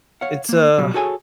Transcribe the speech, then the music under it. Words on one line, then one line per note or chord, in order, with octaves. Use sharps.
It's a
C#5 F5 F#5
A#3 C5
B2 F#3 G3
F#4 G#4 A4 C#5 G#5